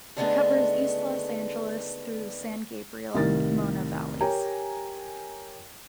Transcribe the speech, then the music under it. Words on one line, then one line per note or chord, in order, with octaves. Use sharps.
It covers East Los Angeles through the San Gabriel and Pomona valleys.
D3 D#3 G#3 A3 B3 D4
C2 A2 D#3 A#4 A6
G4 A#4 C#5 G5 G#5 A#5